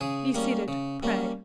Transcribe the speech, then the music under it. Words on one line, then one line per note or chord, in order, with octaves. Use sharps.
Be seated, pray.'
C#3 G#4
G3 A#3 C#4
C#3
G3 A#3 C#4